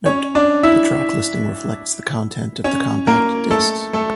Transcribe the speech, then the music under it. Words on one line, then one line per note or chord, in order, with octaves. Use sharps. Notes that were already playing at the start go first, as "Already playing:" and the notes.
Note: The track listing reflects the content of the compact discs.
C#4 C#5
D4 D5
E4 E5
C#4 C#5
A#3 A#4
A3 A4
A3 A4